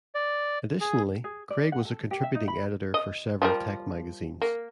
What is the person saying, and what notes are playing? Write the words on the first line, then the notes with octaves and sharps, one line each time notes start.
Additionally, Craig was a contributing editor for several tech magazines.
D5
G#4
G#4
D5
F#5
A4
G4
E5
D#4
B5
D#5
F3 G3 A#4
A#3